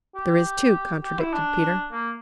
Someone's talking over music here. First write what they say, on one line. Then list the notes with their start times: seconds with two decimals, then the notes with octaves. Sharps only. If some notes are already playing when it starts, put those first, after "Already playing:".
"There is too," contradicted Peter.
0.16 G4
1.04 G4
1.19 E4
1.33 D4
1.92 A#3